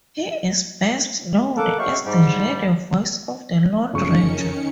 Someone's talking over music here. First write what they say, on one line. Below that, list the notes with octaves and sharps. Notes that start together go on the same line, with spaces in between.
He is best known as the radio voice of the Lone Ranger.
A4 A#4 F5 F#5 A5 D6
F#3 G#3 E5 F5 G5 C#6
G#2 G3
F#1 F2 D#3 C#4 C#6 C#7